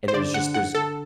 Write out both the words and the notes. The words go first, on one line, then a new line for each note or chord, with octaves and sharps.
And there's just there's
C5
D3 D5
D3 F#5
D3 F#5
D3 A4